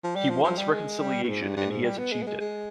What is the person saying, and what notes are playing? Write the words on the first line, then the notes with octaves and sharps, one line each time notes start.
He wants reconciliation and he has achieved it.
F3
G3
F3
F3
G3
G#3
G3
B2
G#2
G2
G2
G#2
G3
B3
G#3
B3
G#3
G#3